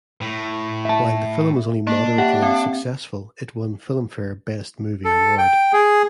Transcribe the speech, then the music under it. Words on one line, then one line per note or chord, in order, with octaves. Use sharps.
While the film was only moderately successful, it won the Filmfare Best Movie Award.
A2
E5 A5
A#3 D4
G4 E5 F#5
C4
A4
G5
G#4